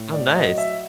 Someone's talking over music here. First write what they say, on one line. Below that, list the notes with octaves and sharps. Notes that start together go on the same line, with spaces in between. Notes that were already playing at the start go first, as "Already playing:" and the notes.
Oh, nice.
Already playing: A2
D5
F#3 D#5
E5